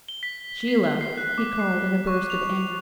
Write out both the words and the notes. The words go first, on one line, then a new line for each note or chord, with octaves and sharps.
'Sheila!' he called in a burst of anger.
G7
B6
C7
C7
F#6
D6
C7
C#6
F7